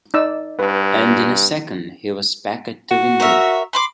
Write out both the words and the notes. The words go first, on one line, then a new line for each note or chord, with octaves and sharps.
And in a second he was back at the window.
D#4 D5 E6
G2 B4
F#4
A#4 C#5 E5
B5 C6 D6